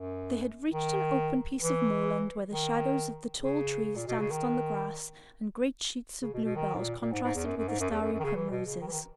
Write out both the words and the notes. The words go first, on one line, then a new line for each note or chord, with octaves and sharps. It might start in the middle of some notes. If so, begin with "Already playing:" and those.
They had reached an open piece of moorland, where the shadows of the tall trees danced on the grass, and great sheets of bluebells contrasted with starry primroses.
Already playing: F#2
D#3
E3
D#3
C#3
A#2
B2
C#3
D#3
C#3
B2
B2
D#3
G#2
A#2
A#2
G#2
G#2
E2
F#2
F#2
G#2
F#2
E2
F#2
F#2
D#3
C#3
E3
B2
C#3
D#3
E3
D#3